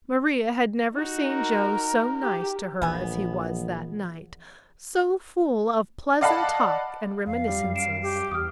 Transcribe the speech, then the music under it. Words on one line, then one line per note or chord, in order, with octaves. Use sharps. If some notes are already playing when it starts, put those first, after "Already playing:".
Maria had never seen Joe so nice to her as he was that night, so full of pleasant talk and reminiscences.
D#4 F#4
A#4
G4
A#1 E3 B3 G#5
D5 D#5 F5 F#5 A5 B5
F2 F5
G3
F#2
C7 D7 E7
G4
E2 D#6 F6